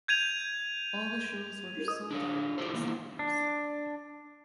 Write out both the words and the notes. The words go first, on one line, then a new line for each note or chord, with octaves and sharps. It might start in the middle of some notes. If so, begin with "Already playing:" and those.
All the shows were sold out in just hours.
G6 G#6 D#7 F7
D4 A4 C#5
E4 F4 G4 A4 C5
E3 A#3 B3 E4 F4
D4